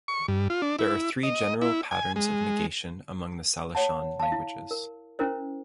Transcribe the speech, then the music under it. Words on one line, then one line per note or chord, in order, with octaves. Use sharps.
There are three general patterns of negation among the Salishan languages.
C#6
G2
F4
D4
E4
D#5
E4
G#5
G#3
C#5 F#5 A5
F5 A5
E4
A#4
C#4 E4 A#4 C5